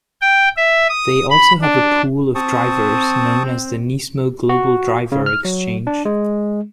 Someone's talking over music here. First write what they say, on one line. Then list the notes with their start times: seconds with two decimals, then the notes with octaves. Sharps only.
They also have a pool of drivers, known as the Nismo Global Driver Exchange.
0.21 G5
0.57 E5
0.89 D#6
1.30 B5
1.62 D4
2.35 C4 A5 C#6 D#6
4.49 F#4
5.12 C#3
5.26 F6
5.45 F#3
5.87 D4
6.05 G#3